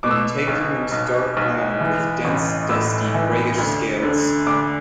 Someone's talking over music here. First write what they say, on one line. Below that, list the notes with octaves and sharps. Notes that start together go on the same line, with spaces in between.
Integument dark brown with dense dusty greyish scales.
B2 D6
E6
D6
B1
B1
B1
E3
A1
A2 E6
E3
D2
D3
D2 D6